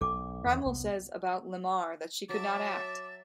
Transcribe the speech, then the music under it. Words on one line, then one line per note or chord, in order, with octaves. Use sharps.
Cromwell says about Lamarr that she could not act.
B1 A4 D6
E2 D#3
C2 B3
F#3 E5 A5 D6 A6